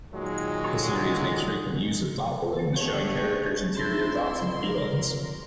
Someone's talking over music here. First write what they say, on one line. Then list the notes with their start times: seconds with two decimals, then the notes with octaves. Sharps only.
The series makes frequent use of thought balloons, showing characters' interior thoughts and feelings.
0.13 A#2 D#3 F#3 G#3
2.74 A3 B3 D4 G4 G#4 C#5
3.13 G#3 A#3
3.76 F2 D4 E4 E5 C6
4.60 G4 A#4